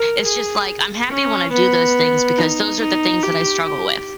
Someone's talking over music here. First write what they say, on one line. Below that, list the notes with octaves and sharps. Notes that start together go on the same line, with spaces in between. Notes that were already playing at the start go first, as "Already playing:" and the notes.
it's just, like, I'm happy when I do those things because those are the things that I struggle with.
Already playing: A#4
G#4
C#4
B3
D#4
D#4
G4
G4